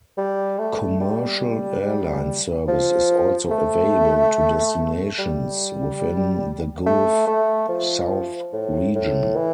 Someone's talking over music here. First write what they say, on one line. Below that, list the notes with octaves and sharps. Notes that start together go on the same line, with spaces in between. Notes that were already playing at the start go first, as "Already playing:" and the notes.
Commercial airline service is also available to destinations within the Gulf South Region.
G3
A3
G3
F3
A3
G3
A3
A3
F3
A2
A2
E3